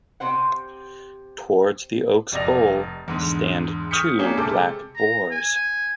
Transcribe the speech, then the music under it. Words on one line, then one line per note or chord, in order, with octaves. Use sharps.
Towards the oak's bole stand two black boars.
C3 C4 C5 F#5
F1 C3 D5 D#5 A#6 F7
E2 G#2 D3
C#6 D#6 F6 G6 B6 C#7
G#3 A#3 C#4 D4 G4
C3 G#3 A4 D6
A#5
G#5